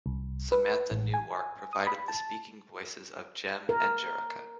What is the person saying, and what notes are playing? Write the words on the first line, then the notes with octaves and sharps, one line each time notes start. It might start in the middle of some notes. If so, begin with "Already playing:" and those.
Samantha Newark provided the speaking voices of Jem and Jerrica.
C2
B4
A1
G#5
D#6
B5
A5
A#4